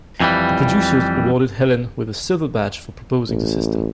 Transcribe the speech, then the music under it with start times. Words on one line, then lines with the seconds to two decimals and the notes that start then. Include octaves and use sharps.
The producers awarded Helen with a Silver badge for proposing the system.
0.20 F2 E3 G3
3.29 A1